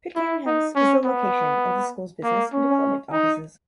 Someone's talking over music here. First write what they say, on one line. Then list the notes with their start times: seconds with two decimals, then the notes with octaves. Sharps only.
Pitcairn House is the location of the school's business and development offices.
0.16 E4
0.46 D#4
0.75 C#4
1.05 B3
2.23 A#3
2.53 C#4
3.12 D#4